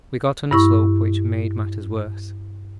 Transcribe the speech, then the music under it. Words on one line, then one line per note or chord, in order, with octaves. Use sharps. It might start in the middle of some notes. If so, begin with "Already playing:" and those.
We got on a slope which made matters worse.
G2 E4 C#6